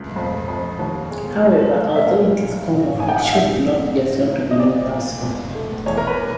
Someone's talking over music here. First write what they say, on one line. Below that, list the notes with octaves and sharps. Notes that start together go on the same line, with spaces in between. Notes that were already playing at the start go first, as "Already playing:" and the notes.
However, although it is common, it should not be assumed to be universal.
Already playing: C#2
F2
F2
D#2
G#3
C2
A3
E5
A#2 F5
G3
G#2
G#2 G#5
G5
F#5
F5
G#2 E5
A3
G#2
G#2
D#5
A#2 D5
A#2
C#2
A3
E2 C#5
A#4
B4